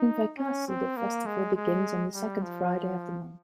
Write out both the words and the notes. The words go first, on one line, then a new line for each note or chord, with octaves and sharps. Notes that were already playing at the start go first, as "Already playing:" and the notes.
In Vaikasi, the festival begins on the second Friday of the month.
Already playing: D#4
C#4
C4
A#3
G#3
G#3
G3
F3